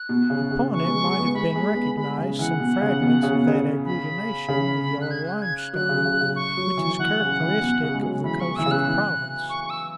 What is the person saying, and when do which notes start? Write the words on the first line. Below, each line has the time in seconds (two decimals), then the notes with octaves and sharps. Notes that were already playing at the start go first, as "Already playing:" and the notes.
Upon it might have been recognized some fragments of that agglutination of yellow limestone which is characteristic of the coast of Provence.
Already playing: F#6
0.09 B2
0.30 C#3
0.51 C#3
0.72 E3 C#6
0.81 B3
0.88 G#3
1.04 G#3
1.19 B3
1.34 G#3 B5
1.56 G#3
1.66 G#3
1.76 B3
1.97 G#3 B5
2.18 C#3
2.39 E3 F#5
2.60 B2
2.81 C#3
3.02 B2
3.23 C#3
3.35 B2
3.47 C#3
3.85 B5
4.48 C#3
5.01 F#6
5.11 G#6
5.26 F#6
5.42 G#6
5.58 F#6
5.73 F#3 F#6
5.89 C#3
6.05 C#3
6.21 C#3
6.36 C#6
6.57 F#3
6.77 E3
6.99 E3 F#5
7.20 C#3
7.41 E3
7.61 B2
7.83 C#3
7.95 G#3
8.03 F#3
8.24 E3 B5
8.40 C#6
8.56 E3 E6
8.66 C#3
8.71 F#6
8.87 E3
9.49 C#6
9.64 C#6
9.70 E6